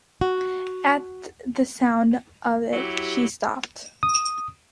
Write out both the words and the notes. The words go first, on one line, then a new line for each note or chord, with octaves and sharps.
At the sound of it she stopped.
F#4
F#3 E4 G4
D#6